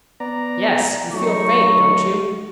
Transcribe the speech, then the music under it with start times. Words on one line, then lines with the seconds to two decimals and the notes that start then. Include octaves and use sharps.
"Yes; you feel faint, don't you?"
0.20 B3 D5 A#5
1.13 F#3 A3 D#4 C#6